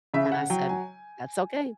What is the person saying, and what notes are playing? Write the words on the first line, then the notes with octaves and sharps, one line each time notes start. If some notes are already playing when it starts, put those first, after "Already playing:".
and I said, "That's okay"
C#3 E5
F#5
F#3 G5
G#5